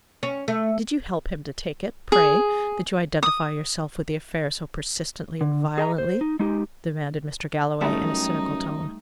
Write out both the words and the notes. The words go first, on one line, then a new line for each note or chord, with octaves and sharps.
"Did you help him to take it, pray, that you identify yourself with the affair so persistently and violently?" demanded Mr. Galloway, in a cynical tone.
C#4
A3
G#4
D#6
D3
G#4 D#5 A5 A#5
C5
D#4
G#3 D#4 G4
F#2 G3 A3 D#4 E5